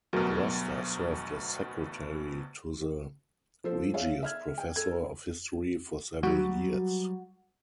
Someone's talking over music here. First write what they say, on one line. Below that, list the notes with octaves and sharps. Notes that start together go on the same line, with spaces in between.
Broster served as secretary to the Regius Professor of History for several years.
D2 G2 B2 F#3 A#4
F3 A4 C5
G#4 C#5 E5 F5
E5 F6 G#6
G5
A4 G#6
F#3 G3 F#4